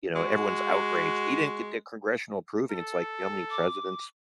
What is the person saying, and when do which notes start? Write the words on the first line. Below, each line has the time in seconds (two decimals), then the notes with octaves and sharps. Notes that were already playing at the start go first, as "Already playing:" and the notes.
you know, everyone's outraged. "He didn't get the congressional approving" It's like, you know how many presidents
0.16 G#3 F#4
2.72 A4
3.50 D6